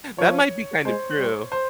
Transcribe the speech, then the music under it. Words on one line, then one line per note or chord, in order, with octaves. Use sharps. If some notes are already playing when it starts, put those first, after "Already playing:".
That might be kind of true,
F3 C#5
G#3 C5
G3
C5